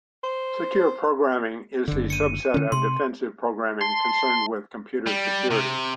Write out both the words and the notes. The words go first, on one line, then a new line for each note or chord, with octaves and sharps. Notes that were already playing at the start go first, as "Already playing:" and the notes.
Secure programming is the subset of defensive programming concerned with computer security.
C5
F#1 D3
C#7 D#7
D3 C#4
C3 C6
A5 C6
G3
C3